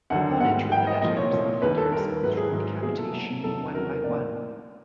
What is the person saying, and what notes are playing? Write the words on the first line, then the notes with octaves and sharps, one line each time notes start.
Upon entering the letters, the figures go through decapitation one-by-one.
D#2 D3 F#3 F#5
G#2 D#3 G3 F#5
G#2 D#3 G3 G5
D#5
C2 A#2 F3 A3 D#5
C#5
C2 A#2 F3 A3 C#5
D#2 D#3 G3 B4
A4
D#2 D#3 G3 A#4
G#2 D#3 F#3 A3 B4
G#4
G#2 D#3 F#3 A3
C2 B2 F#3 A#3 G#4
A4
C2 B2 F#3 A#3
E2 C3 D#3 F#3 A4
E2 C3 D#3 F#3 A#4
A2 F3 A#3 D5